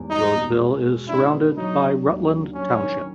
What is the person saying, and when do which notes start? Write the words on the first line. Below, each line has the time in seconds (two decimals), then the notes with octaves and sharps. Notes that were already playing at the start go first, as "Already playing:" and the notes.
Roseville is surrounded by Rutland Township.
Already playing: E2 G#2 G3
0.10 G3 D#4
0.35 B2
0.59 G#3
0.84 B2
1.09 D4 E4
1.33 B3
1.57 F#3 D#4
1.82 D3
2.06 D#2
2.30 D3
2.55 F#3 C#4
2.79 D#3